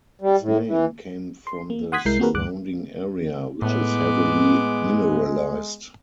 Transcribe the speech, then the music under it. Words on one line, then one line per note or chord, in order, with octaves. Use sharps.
Its name came from the surrounding area, which is heavily mineralized.
G3
A2
E3
C6
A#3
F#5 C6 D#6 F#6 G#6 B6
C2 G#3 E4 A#4 G6 C7
A#3 C4 F#4 G#4 A#4 B4
D2 G2 D6 F#6
A2 G#3 B3 D6